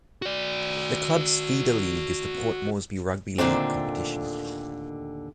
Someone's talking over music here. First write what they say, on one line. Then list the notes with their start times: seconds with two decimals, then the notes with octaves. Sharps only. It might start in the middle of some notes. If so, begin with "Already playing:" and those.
The club's feeder league is the Port Moresby Rugby League competition.
0.22 F#4 D5
3.38 D#2 A#2 D3 A3 C4